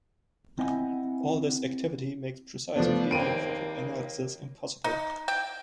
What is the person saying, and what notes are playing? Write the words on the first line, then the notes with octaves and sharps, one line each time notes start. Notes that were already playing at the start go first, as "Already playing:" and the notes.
All this activity makes precise paleographic analysis impossible.
C4 E4 D#5 E5 F#5 G#5
F3 A3 B3 D4
D#2 A#3 C4 D7 D#7
D#4
G5